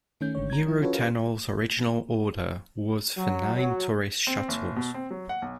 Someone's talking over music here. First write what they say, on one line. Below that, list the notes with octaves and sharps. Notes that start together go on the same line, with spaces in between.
Eurotunnel's original order was for nine tourist shuttles.
D#3 A3 C#4 G6
G#1 D3 G#3 C#5
A#5 G#6
F3 E4
C#4 F4 F#4 A4 B4 C#5
G4 A#4 B4 F5
F#3
F#3
C4
F#1
B2
C4
F#3
F#5
B1